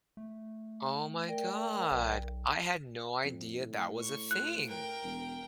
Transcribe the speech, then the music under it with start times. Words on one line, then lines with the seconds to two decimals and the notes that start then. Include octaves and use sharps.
Oh my god. I had no idea that was a thing!
0.17 A3
1.28 A#4 D5 G5
1.91 B1
3.24 F2
3.59 A2
3.99 C#6
4.31 F4 F#6
4.66 A#4 G5
5.03 E1